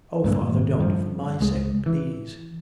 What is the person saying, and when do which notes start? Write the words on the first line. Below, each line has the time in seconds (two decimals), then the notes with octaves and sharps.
'Oh, father, don't, for my sake, please.'
0.24 G2 A#2 D3
0.49 G#1
0.80 G2 F3
1.41 C#2 G#3
1.86 E3